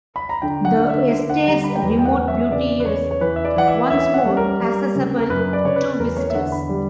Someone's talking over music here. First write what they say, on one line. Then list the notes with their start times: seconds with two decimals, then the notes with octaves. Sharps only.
The estate's remote beauty is once more accessible to visitors.
0.16 B5
0.29 A#5
0.42 D3 G5
0.65 F#5
0.77 D3
0.89 E5
1.11 D3
1.30 F#5
1.47 G3 A#5
1.64 B5
1.76 G5
1.82 E2 A#5
1.99 G5
2.05 F#5
2.17 E2
2.28 E5
2.51 C#3 D5
2.80 B4
2.86 E2 C#5
3.11 C#5
3.21 E3 B4
3.36 E5
3.45 D5
3.56 E3 F#5
3.68 E5
3.90 C#4 E5
4.14 F#5
4.25 G3
4.37 A#4
4.60 G3
4.95 C#3
5.18 A#4
5.30 F#2 B4
5.53 D5
5.65 C#3 C#5
5.76 B4
5.99 E2 A#4
6.17 C#5
6.30 E5
6.35 D3 F#5
6.52 B5
6.69 G3